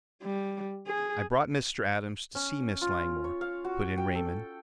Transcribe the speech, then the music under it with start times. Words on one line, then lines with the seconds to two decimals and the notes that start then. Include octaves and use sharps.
"I brought Mr. Adams to see Miss Langmore," put in Raymond.
0.22 G3
0.87 G#4
2.35 C#4
2.82 F4
3.24 C#5
3.41 F5
3.65 F#4
3.97 G5
4.15 A4